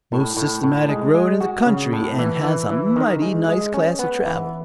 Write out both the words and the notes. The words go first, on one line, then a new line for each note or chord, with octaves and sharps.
Most systematic road in the country and has a mighty nice class of travel.
A2
A2
A2
G#3
G#3
F#4
C#3
A2
E3
E3
E3
D#3
G#3
G#3
C#4
B3
E3